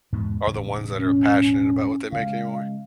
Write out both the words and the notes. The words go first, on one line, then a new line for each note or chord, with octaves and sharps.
are the ones that are passionate about what they make anymore,
E2 G#2 B2
E1 A2 C#3
C#4
C#3 G#3 F5